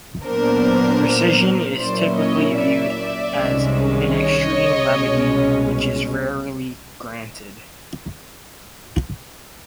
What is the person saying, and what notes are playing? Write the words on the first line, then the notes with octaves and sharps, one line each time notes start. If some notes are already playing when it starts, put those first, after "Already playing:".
Rescission is typically viewed as "an extreme remedy" which is "rarely granted".
A#2 F#3 B3 D4 A#4 C5
A#2 F#3 A#3 C#4 E4 C5 D5
C#5 D#5
D5 E5
C2 C3 D#3 G#3 C#4
C#5 D#5
C2 B2 G#3 C#4